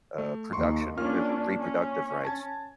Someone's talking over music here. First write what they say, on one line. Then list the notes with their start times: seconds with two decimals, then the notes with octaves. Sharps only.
uh, production eh, re reproductive rights
0.18 A3
0.53 D#2 C6 C#6
0.97 A#3 C#4 D4 F4 F6
1.59 C#4
2.25 A5 G#6